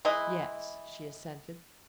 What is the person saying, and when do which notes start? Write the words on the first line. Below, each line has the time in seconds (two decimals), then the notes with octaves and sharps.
"Yes," she assented.
0.05 E3 G#3 E4 D#5